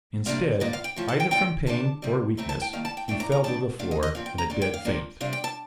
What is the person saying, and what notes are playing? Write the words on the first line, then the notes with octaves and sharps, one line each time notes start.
Instead, either from pain or weakness, he fell to the floor in a dead faint.
C3 G3 A#3 D4 F5
D3 F3 A#3 D4 D#5
F5
G5
A2 F3 A3
A5
G5
A2 F3 A#3 D4 G5
C3 D#3 A#3 D4 A5
C3 D#3 G3
A2 A3 C4 A#5
A5
G5
D#3 G3 A#3 F5
A5
G5
A2 A3 D4 G5
A#5
A#5
D#3 G3 D4 A5
A#2 A3 D4 F5
D#5
D#5
A#2 F3 C4 F5
G5
A#5
A#2 A3 D4
G5
F5
A#2 F3 A#3 D4
C3 G3 D4 F5
G5
A5